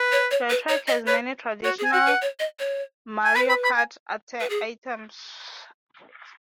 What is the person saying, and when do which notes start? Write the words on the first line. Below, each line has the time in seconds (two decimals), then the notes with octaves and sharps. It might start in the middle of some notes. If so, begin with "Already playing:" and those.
The track has many traditional "Mario Kart" items.
Already playing: B4
0.12 C#5
0.31 C#5
0.50 B4
0.69 C#5
0.88 D#5
1.07 B4 C#5
1.64 F#4 C#5
1.78 G#4
1.84 G#5
1.93 F#4 F#5
2.06 B4
2.22 C#5
2.40 D#5
2.59 C#5
3.24 G#5
3.35 B4 B5
3.49 B5
3.64 B5
3.77 G#5
4.40 B4
4.50 G#4